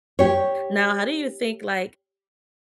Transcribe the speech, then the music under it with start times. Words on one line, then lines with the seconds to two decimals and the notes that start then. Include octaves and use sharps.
Now how do you think, like,
0.19 G4 C#5